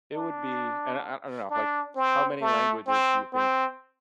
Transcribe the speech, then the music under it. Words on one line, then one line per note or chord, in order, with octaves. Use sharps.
it would be and I I I don't know, like, how many languages do you think
D4
D4
C4
A3
C4
C4